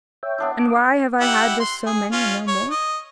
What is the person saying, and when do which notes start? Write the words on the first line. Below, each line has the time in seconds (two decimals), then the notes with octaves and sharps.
And why have I had just so many and no more?
0.23 C#5 E5 G5
0.38 B3 D4 E4
0.59 D6
1.20 E4 G4 F#5
1.60 C6
1.86 G#4
2.12 C#4 F4
2.48 C#5
2.71 D#5